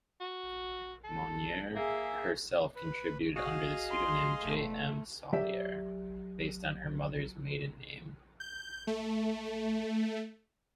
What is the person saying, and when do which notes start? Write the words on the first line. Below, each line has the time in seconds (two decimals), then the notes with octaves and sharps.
Monnier herself contributed under the pseudonym J-M Sollier, based on her mother's maiden name.
0.20 F#4
1.04 A4
1.75 A#3 G#4 E5
2.76 B4
3.36 F#4 G#4 D#5 F5
3.91 C6
4.45 E1 A3
5.33 F#3 G4 D5 E5
8.40 G6
8.87 A3